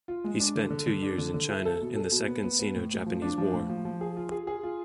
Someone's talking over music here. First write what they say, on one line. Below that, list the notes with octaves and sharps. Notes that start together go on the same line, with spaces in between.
He spent two years in China in the Second Sino-Japanese War.
F4
G#3
D4
D3
D3
D3
D4
D3
D3
E4
A4
B2
A4
B2
B3
B3
B3
A2
A2
F3
D4
F3
A2
F3
F3
G#4
F4
G#4
G#4
F4